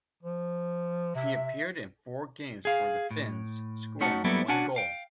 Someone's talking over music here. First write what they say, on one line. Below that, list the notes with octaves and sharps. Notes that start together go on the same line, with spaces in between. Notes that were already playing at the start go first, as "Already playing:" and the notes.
He appeared in four games for the Finns, scoring one goal.
F3
C3 E5
G#4 F5
A2
A3 C#4 D#4 F#4 F#5 A5
F#3 G3 A#3 B3 E4 A4
C#4 D4 F#4 F#5 G#5 A5
F5 G5